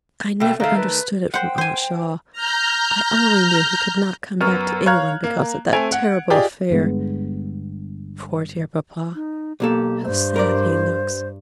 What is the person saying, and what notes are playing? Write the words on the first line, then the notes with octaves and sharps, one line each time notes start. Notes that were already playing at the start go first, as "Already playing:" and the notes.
I never understood it from Aunt Shaw; I only knew he could not come back to England because of that terrible affair. Poor dear papa! how sad he looks!
B2 A3 G5
D#3 A3 F5
B4
C5 F#5 G5
C5 G#5
A#5 F6 G6
F#2 B3 C#6 F6
C#5 F5 A#5 F6 F#6 G#6
A#3
A3 C4 G#5 G#6 D7 F7
F#5
F4 G4 G#4 D5 D#5
G1 G2 G#3 B3
D#4
B1 A#3 G4 A4
G2 C5
A#4 D5